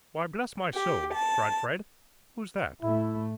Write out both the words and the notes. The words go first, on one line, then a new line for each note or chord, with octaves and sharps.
'Why, bless my soul!' cried Fred, 'who's that?'
G4
A5
A2 A3 E4